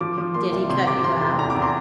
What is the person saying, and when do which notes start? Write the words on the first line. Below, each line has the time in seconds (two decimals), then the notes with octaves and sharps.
'Did he cut you out?'
0.01 F3 D6
0.18 F3
0.34 A#3 C6
0.52 C2
0.70 C3 C6
0.86 C3 D6
1.04 C3 C6
1.21 F2
1.39 E2 A#5
1.50 D6
1.55 E2
1.62 C6